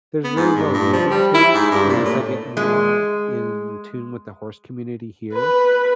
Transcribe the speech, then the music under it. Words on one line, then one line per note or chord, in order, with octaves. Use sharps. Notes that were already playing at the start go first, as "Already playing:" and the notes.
there's really no reason to, unless I get more in tune with the horse community here.
B3
G#2
G2
G2
F3
G3
E4
G#2
G2
A#2
A2
G#3
B4